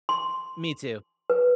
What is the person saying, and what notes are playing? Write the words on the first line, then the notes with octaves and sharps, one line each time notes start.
Me too.
C6
B4